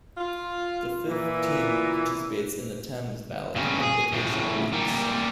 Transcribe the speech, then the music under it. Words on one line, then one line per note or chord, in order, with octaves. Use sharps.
The fifth team participates in the Thames Valley Invitational Leagues.
F4
A#2 E3
G2 C#3
G#4
A2 C#3
A#2 G3